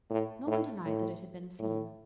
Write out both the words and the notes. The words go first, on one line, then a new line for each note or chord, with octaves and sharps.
No one denied that it had been seen.
A2
A2
A2
A2